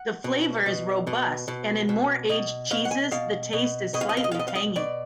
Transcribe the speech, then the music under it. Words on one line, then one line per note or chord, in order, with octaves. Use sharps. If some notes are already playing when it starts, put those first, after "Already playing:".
The flavor is robust, and in more aged cheeses the taste is slightly tangy.
Already playing: F#5
B2
B2
B2
B2
B2
B2 D#5
B2 F5
F#5
G#5
B2 F5
B2
B2 D#5
F5
D#5
F5
D#5
F5
B2 D#5
F5
D#5
B2 D5